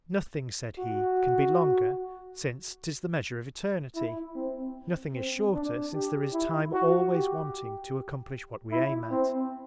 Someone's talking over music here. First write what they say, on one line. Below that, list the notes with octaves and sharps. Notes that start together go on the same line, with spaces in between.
Nothing, said he, can be longer, since 'tis the Measure of Eternity; Nothing is shorter, since there is Time always wanting to accomplish what we aim at.
F#4
E4
C4
C4
D4
G4
E4
F#4
G4
E4
C4